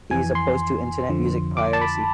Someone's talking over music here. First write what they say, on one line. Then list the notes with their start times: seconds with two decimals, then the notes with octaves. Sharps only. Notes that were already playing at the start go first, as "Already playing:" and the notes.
He is opposed to Internet music piracy.
0.11 F2 E3 G#5
0.35 C6
1.09 F2 D3 F3
1.57 D6
1.73 A5
1.81 B5